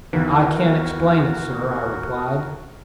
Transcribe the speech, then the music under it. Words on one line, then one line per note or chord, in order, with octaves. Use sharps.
"I can't explain it, sir," I replied.
D#2 D#3 E3 B3 F#4 A#4